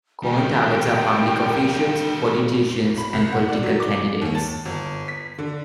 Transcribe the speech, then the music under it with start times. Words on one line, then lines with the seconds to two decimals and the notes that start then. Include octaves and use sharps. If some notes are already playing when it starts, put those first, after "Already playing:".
Common targets are public officials, politicians, and political candidates.
0.24 G3 A#3 G5
2.97 B5
3.13 C2
3.32 F#5
3.49 D5
3.63 F#3
3.80 D6
4.22 D#2
4.35 A5
4.65 G1
5.08 B6
5.38 D3